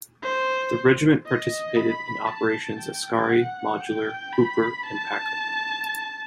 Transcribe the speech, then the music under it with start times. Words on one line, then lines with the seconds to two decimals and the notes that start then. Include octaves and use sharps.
The regiment participated in Operations Askari, Modular, Hooper and Packer.
0.23 C5
1.26 D#5
1.76 B5
2.27 A5
2.79 G5
3.29 F#5
3.81 G5
4.32 B5
4.83 A5